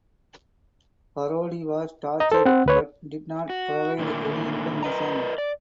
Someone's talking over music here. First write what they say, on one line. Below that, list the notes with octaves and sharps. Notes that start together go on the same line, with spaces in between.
Parodi was tortured but did not provide any information.
D#5 A#5
A4 C5
C4 F#5
D2 B4 C#5
F#4
A#2 D3 D#3 A3 A#3
A#4 B4 D#5 A#5
D5